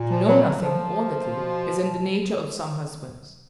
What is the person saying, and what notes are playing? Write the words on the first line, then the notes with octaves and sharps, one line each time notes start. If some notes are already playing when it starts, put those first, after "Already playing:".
To know nothing, or little, is in the nature of some husbands.
Already playing: A#2
F3
F#3
G3
F#3
F3
B2